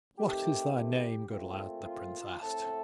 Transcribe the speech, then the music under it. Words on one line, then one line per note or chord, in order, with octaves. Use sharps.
"What is thy name, good lad?" the prince asked.
D#3 A3 C4 G4
G4
A#2 A3 C4 F4
F4
A2 A3 C4 A4